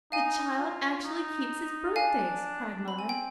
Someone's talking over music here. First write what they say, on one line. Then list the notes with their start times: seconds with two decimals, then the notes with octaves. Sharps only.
"The child actually keeps his birthdays!" cried mother.
0.12 D#4 F5 G#5
0.58 F4
1.04 D#4
1.96 D4 F5 G#5
2.87 C4 B5
2.99 G#5
3.09 G5